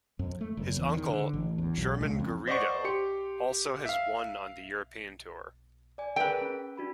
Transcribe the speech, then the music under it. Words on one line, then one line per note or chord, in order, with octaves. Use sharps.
His uncle, German Garrido, also has won on the European Tour.
F2
A3
F#1
E2
D#3
D3
A1
E2
B1
C#2
F2
C5 D5 D#5 F#5 C#6
G4 C6 C#7
E5 F5
D5 G#5
G#4 A#4 B4 G5 E6
C#4
D4 F#4 B5